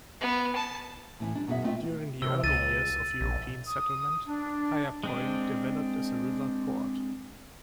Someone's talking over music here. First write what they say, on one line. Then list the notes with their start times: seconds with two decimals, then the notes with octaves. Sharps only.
During the early years of European settlement, Kaiapoi developed as a river port.
0.21 B3
0.55 A5
1.20 A2 E3 E4
1.35 G3 D4
1.47 F#2 B2 F#4 G#4 E5
1.64 A3 C4 F4 D#5 E5
2.22 C3 E6 G7
2.44 C#2 A6 D#7
3.21 A#1
3.67 D#6
4.27 D4
5.03 G#3 C4 D4